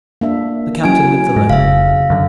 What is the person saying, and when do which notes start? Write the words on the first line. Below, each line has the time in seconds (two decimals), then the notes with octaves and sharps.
The Captain lived alone.
0.21 A#3 D4 E5
0.84 F#3 C#4 E4 G#5 D7
1.36 G#2
1.50 F1 C#3 E5 F5
2.10 F#2 D3